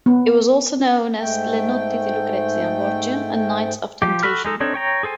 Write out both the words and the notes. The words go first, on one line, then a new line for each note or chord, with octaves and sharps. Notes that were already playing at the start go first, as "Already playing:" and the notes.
It was also known as Le notti di Lucrezia Borgia and Nights of Temptation.
B3
G#2 A3 G5
F3 G4
F#4 A4 B5 F6
G#3 D#4 A4
C4 D4 D#4 A4 C#5
C#5 G5 A#5
G#4 A4 C5 G#5